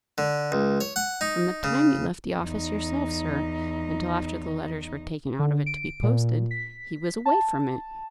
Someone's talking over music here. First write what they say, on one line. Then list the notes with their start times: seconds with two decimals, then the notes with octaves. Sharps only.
"From the time you left the office yourself, sir, until after the letters were taken out of it to be posted, he was away from it."
0.18 D3
0.52 C#2
0.81 C#5
0.96 F#5
1.21 D#4
1.64 C#3
2.38 E2 D#4
5.39 D3
5.66 D7
6.03 A#2
6.51 B6
7.26 A5